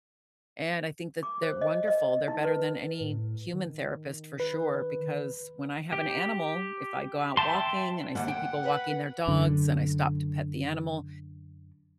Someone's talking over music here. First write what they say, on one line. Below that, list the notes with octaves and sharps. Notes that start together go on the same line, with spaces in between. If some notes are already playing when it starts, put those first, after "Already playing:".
and I think that they're wonderful. They're better than any human therapist for sure because when I have an animal, if I go out walking and I see people walking their dogs and I stop to pet the animal,
D6
C5
D#5
D#5
D#4
B4
A2
D#3
B4
G4
E5 G5 A5 C6
D#2 G#2 F#5
G5
B4
F#2 D3